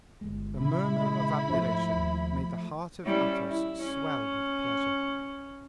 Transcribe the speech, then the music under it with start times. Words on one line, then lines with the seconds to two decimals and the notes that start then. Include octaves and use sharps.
A murmur of admiration made the heart of Athos swell with pleasure.
0.21 G1 G#3
0.59 A#2 C#3 C#4 E4 B5
1.00 G#3
1.50 G#2 F3 A3
1.92 D#2
3.04 G3 C#4 E4
3.47 E4
3.81 C#4